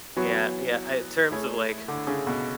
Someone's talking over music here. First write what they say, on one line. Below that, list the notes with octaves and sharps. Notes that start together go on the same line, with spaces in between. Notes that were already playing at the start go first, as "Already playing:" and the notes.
Yeah yeah, in terms of, like,
E3 F#3 B3 F#4
A3 E4 G#4 C#5
D3
C#3
B2